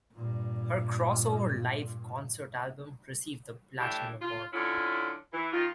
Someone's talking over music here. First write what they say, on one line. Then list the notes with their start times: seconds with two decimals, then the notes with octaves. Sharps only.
Her Crossover Live Concert album received the Platinum Award.
0.15 G2 A#2
3.79 A2 E3 D4 G4
4.21 F4
4.53 D3 F#3 C#4 E4 F4
5.34 E3
5.53 D#3 A#3 F4